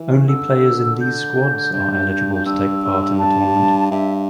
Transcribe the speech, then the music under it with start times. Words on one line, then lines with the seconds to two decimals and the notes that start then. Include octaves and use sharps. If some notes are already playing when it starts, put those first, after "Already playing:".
Only players in these squads are eligible to take part in the tournament.
Already playing: E3
0.28 D3 E6
1.00 G6
1.73 G2
2.36 G6
2.46 G2 E6
3.19 A5
3.91 G2 E5